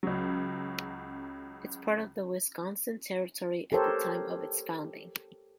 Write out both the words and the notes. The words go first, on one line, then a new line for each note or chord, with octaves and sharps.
It was part of the Wisconsin Territory at the time of its founding.
C#2 C#3 F#3
G4 A4 A#4 C5 C#5